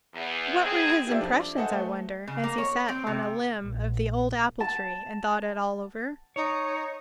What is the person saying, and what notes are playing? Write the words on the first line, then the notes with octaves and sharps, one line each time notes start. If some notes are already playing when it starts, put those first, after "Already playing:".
What were his impressions, I wonder, as he sat on a limb of the old apple tree and thought it all over?
E2
B2 C4 G#4
F4 G4 A4 C5 D5 E5
F2 D4
A4 C5 D#5 E5 F#5 G#5
A3
C#3
A#3
C#5
C4
C3
A#1
A5
D#4 C#5